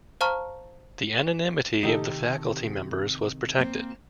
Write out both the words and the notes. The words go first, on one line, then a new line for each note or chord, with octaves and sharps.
The anonymity of the faculty members was protected.
C5 F5 A5 A#5 C#6 F6
C3 D#3 D#4 G4 A4
A#3 C4